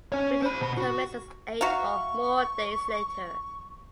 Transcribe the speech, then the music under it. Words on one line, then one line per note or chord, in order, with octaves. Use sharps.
Breeding commences eight or more days later.
C#4 C#5
C5 B5
B2 B5
F#4
F#4 E5 F5 A#5 C#6